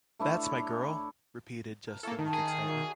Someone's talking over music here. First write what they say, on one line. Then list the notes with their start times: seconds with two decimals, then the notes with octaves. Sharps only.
That’s my girl! Repeated Justin with excitement.
0.19 A3 D4 E4 C#5
1.87 A#4
2.03 A#3 C#4 E4 A4 A#4
2.19 D#3 A5
2.34 G#4
2.68 F#3 D5 E5